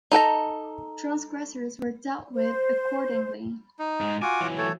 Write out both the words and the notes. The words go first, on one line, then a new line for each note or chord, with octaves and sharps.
Transgressors were dealt with accordingly.
D#4 A4 G5 A#5
C5
D#4
G#2 G#3
F4 F#4 G#5 D6
E3 F#3
A3 A4 C#5